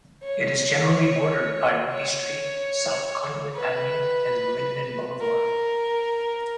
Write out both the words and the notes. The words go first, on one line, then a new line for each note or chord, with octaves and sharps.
It is generally bordered by Ruby Street, South Conduit Avenue, and Linden Boulevard.
C#5
C#5
B4
A#4